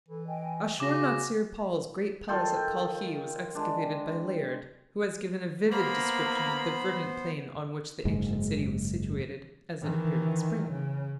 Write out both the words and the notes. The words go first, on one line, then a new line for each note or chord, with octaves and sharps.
Ashur-natsir-pal's great palace at Kalkhi was excavated by Layard, who has given a vivid description of the verdant plain on which the ancient city was situated, as it appeared in spring.
E3 A4
D#5 G5 G#5
C#3 F#4 G#5 D6 A#6
D#3 F4 A4 G5
G5
G#3 D4
A#3 B3 C5 A#5 B5
F#1 G#2 G#3
D#3 E3
C#3